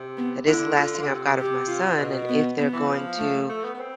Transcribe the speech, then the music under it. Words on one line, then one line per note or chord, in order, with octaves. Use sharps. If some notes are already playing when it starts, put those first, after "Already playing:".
that is the last thing I've got of my son, and if they're going to
Already playing: C3
B3
D3 E4
F4
D3
C3
G4
F4
B2
B3
B3
E3
F3
A3
A3
B3
B3
C4